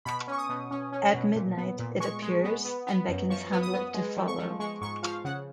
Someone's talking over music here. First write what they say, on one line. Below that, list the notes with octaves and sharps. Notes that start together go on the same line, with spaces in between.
At midnight, it appears, and beckons Hamlet to follow.
B2 B5
C#4 C#6
D#6
B2
C#4
C#4
B2
A#2
B3
A#2
G#3 C#6
G#3
B3
B3
B3
F#2
F3 C#6
B3
D#6
B3
G#3
F3
C#6
F3
G#3 C#6
G#2 C#6
F3 F5
C#3 F#5